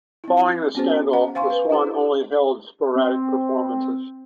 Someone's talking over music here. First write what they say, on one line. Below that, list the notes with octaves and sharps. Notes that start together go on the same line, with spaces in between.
Following the scandal, the Swan only held sporadic performances.
C4 E4
B3 C#4 F#4 G#4 C5
C5 F#5 A#5
C5 F5 G#5 C6 C#6
B4
D4 E4 G4 C5
C4